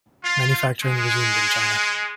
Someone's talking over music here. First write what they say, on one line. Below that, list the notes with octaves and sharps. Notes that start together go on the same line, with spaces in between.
Manufacturing resumed in China.
F4
G#3